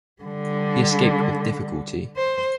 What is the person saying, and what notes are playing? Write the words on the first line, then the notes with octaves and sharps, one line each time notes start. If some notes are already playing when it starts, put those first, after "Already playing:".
He escaped with difficulty.
D3 G3
C5